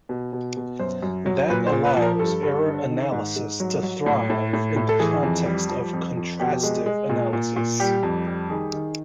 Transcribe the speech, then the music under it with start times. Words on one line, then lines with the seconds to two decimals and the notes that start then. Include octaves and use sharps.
That allows error analysis to thrive in the context of Contrastive Analysis.
0.09 B2
0.33 B2
0.57 B2
0.79 F#2 C5
1.03 F#2
1.26 F#3
1.50 A#2 B4
1.67 C5
1.72 A#2
1.85 B4
1.97 F3
2.02 A#4
2.19 G2 A4
2.43 G2
2.66 D3
2.90 D#3
3.12 G#2
3.36 G#2
3.60 F#3
3.83 F#3
4.06 A2
4.30 A2
4.53 A2
4.76 A2
4.89 A4
4.99 E3 G#4
5.23 F2
5.46 G3
5.69 F3
5.93 F2
6.17 F2
6.40 B2 G4
6.63 G#3
6.86 G#3
7.09 A#2
7.33 A#2
7.56 A#2
7.80 G3 G4
8.03 F2
8.27 G3
8.49 D#3 G#4
8.73 D#3